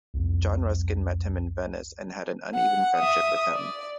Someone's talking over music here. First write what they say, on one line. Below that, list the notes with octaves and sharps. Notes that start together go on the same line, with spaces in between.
John Ruskin met him in Venice and had an uneven friendship with him.
C2 F2
F#5
E5 D#6
D5